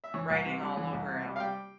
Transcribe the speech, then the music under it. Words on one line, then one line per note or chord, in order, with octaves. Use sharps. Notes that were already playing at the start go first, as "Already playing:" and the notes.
writing all over 'em.
E5
E3 C#5
C2
C3
G3
E3
C2
C3
G3
F5
G3 G5